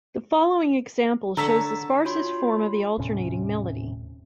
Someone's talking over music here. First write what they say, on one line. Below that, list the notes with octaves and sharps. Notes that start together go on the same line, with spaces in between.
The following example shows the sparsest form of the alternating melody.
D3 C#5 A5 A#5 E6 B6
D4 F4 F#4 C#5 B5 C6
D#1 A2 C3 C#4